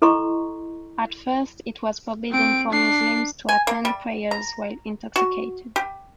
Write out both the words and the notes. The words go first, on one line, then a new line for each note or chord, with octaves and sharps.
At first, it was forbidden for Muslims to attend prayers while intoxicated.
E4 A4 D#5 A#5 C6 C#6
C4 D7
D4 C7
G#5
A#3
G3
A#5
F#4
G4